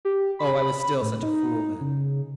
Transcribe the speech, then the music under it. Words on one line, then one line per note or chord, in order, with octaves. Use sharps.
Oh, I was still such a fool then....
G4
B5
A2
D#4
C#3